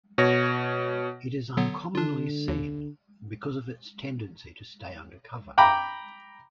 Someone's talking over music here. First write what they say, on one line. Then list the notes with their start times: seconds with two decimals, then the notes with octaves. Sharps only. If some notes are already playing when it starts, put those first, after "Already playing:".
It is uncommonly seen because of its tendency to stay under cover.
0.18 B2 C#5 A#6
1.57 D3 F#3 B3
1.95 D3 D4 F4
2.48 D#2
5.58 G5 A#5 B5 D6